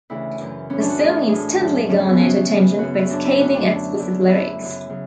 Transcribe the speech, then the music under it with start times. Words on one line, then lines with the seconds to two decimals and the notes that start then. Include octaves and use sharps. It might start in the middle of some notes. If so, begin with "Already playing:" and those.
The song instantly garnered attention for its scathing, explicit lyrics.
0.10 D2 C#3 E3 E4
0.40 F#2 E3
0.70 F#2 E3 C#4
0.80 D4
0.90 F#4
0.99 A2 E3 G#4
1.29 A2 E3 G#4
1.59 F#2 D3 F#3
1.89 F#2 D3 F#3 C#4
1.99 C#4
2.09 B3
2.19 E2 C#3 E3 C#4
2.49 E2 C#3 E3
2.79 F#2 C#3 F#3 F#4
2.94 E4
3.08 F#2 C#3 F#3 D4
3.25 E4
3.39 D2 D3 F#3 F#4
3.55 D4
3.69 D2 D3 F#3 D4
3.99 F#2 D3 F#3
4.29 F#2 D3 F#3 E4
4.59 F#2 C#3 F#3
4.89 C#3 F#3